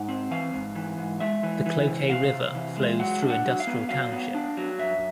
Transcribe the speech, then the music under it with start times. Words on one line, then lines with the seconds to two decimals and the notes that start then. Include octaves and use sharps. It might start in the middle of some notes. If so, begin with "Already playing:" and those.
The Cloquet River flows through Industrial Township.
Already playing: G#2 F#5
0.09 C4
0.31 E3 F5
0.53 G#2
0.75 E3
0.98 G#2
1.20 G#3 E5
1.43 E3
1.66 E3
1.87 C3
2.10 C3 F5
2.33 C3
2.55 E3
2.77 G#3
2.99 F#3 F#5
3.23 D4
3.30 F#5
3.45 F#3
3.60 F5
3.67 B3
3.89 F#3 F5
4.13 B3
4.35 D4
4.57 F#3
4.79 F#2 E5